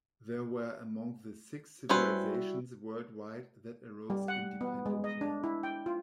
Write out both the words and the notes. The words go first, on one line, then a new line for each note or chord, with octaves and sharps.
These were among the six civilizations worldwide that arose independently.
G3 C#4 E4 F#4 B4 C5
G3
F#5
B3
G#3
D#5
D4
E4
G5
F4